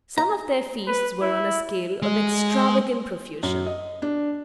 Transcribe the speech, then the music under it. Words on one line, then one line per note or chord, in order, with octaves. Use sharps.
Some of their feasts were on a scale of extravagant profusion.
A#5
B4
E4
G#3
F#2
D#5
D4